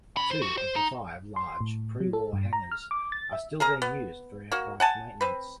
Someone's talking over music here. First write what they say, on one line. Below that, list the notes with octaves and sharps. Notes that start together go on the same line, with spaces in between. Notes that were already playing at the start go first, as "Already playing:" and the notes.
Two of the five large pre-war hangars are still being used for aircraft maintenance.
C#4 B5
C5
F#4 G4
C5
D#4
C6
A2
F#3
A4
G2
A#5
F6
D6
A6
E5
G#4 A#4 A#5
B3
A#3 F#4
F#5 G#5 A5
C4 B4